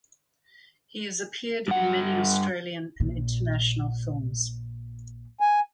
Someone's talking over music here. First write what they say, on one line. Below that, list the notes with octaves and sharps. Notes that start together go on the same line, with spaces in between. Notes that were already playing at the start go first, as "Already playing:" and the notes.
He has appeared in many Australian and international films.
G2 F#5
A#1 A#2
G#5